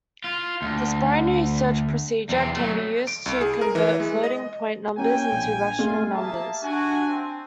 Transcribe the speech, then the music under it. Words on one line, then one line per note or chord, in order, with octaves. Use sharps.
This binary search procedure can be used to convert floating-point numbers into rational numbers.
F4
D2
E2 C4
F#3 A3
D7
C2
G#4
A#4
E3
G#3
D#5
A#3 C#4 G4 G5 G#5
A#1
G#3 A3 F4
A#3 G4 G#4 E5 A5
D4 F#4 G#5
C4